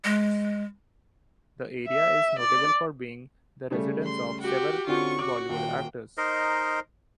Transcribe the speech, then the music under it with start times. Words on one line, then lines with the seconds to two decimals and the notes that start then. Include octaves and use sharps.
The area is notable for being the residence of several Bollywood actors.
0.05 G#3
1.89 E5
2.39 D5
3.71 C#3 G3 A3
4.04 C6
4.41 F#4 G4 G5
4.87 D3 C4 C#4 F4 F#4 C#6
5.19 F#4 D6
5.49 D#1 A#3 G5
6.18 D#4 A#4 C5 D#5